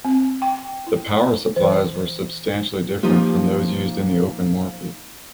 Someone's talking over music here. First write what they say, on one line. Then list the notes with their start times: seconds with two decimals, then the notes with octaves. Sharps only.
The power supplies were substantially different from those used in the open market.
0.05 C4
0.42 G5
0.87 E4
1.56 E3
3.03 F3 A#3 D#4 F4 G4